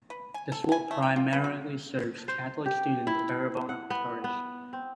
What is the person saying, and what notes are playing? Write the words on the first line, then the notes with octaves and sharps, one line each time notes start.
The school primarily serves Catholic students of Terrebonne Parish.
B4
G#5
A4
G#5
A3
G5
F4
B4
F#4
C5
G4
E4
F#5
B3
B3
C4